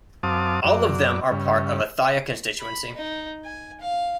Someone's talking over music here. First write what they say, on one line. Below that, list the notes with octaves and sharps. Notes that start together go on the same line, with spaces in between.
All of them are part of Othaya Constituency.
F#2 C4 F5 A5 D6 D#6
F#2 D5
G2 C#3
B5
D#4
G#5
F5